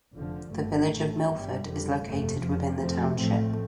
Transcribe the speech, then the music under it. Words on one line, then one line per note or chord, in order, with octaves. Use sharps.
The village of Milford is located within the township.
F1 F2 D3 F3
G1 G2 D3 A3
A1 A2 A3
G1 G2 G3
F1 F2 D3 G3
G1 F2 C3 A3
F1 F2 F3
F2 C3 F3 A3 C4
A1 A2 F3 A3 C4